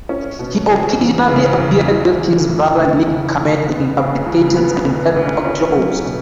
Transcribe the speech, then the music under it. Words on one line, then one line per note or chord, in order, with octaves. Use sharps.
He occasionally appeared with his brother Nick Kamen in publications and catwalk shows.
C#4
B2
C#2
E2
C#3
E2
E4
E3
A2
D2
C#3
D2
B3
C#3
C#2
B3
D3
D2
C#4
F#3
B2